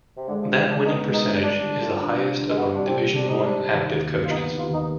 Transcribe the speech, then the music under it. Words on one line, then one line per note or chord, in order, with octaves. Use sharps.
That winning percentage is the highest among Division One active coaches.
C3
D3 G#3
F3
D3
G3
D3 D4
B3 D#4
G#3
D#4
D3
G3 D4
D3
F4
D4
G3
D3
G#3
G3 B3
C3 D4
C4
C3
C4 D4
D#4
G3
D4
C3
D#3
D#2
D#2
F4
B3 D#4
D#3
F4
D#2 D#4